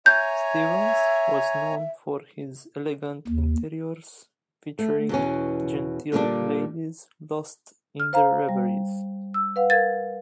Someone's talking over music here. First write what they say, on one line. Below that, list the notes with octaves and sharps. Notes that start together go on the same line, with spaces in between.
Stevens was known for his "elegant interiors featuring genteel ladies lost in their reveries".
C#5 E5 G#5 A#5 G6
D#2
A3
E2 B2 C#4
A#2 D3 G3 A#3 C#4 D4
F6
C5 F5 A#5
G3
E6
B4 F5 F#5
A#4 F5 G#6 A6